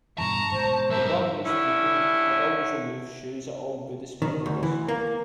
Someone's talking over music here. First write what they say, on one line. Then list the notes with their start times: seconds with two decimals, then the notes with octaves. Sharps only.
The Burmese people had always removed shoes at all Buddhist pagodas.
0.18 G2 B2 E3 A5 A#5 C#6
0.52 G#2 B2 D3 C5
0.90 F#2 G3 A#4 E5
1.45 D3 G3 C#4 E4
4.22 D#3
4.46 D2
4.63 E3
4.88 A#3